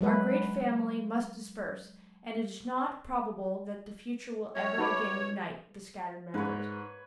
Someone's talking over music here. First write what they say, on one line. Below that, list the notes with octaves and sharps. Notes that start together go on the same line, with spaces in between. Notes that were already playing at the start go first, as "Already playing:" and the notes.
Our great family must disperse, and it is not probable that the future will ever again unite the scattered members.
F#3 G#3 B4
F#2 C#5
D#4 F#4 B4 B5 D6
G#2 B4 C#5